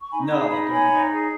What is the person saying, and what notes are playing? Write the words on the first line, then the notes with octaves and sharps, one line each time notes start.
No, don't do that.
C#6
D#4 G#5 B5
G#4 B5 D#6
D#4 B5 D#6
C#5 G#5 B5
D#4
G#4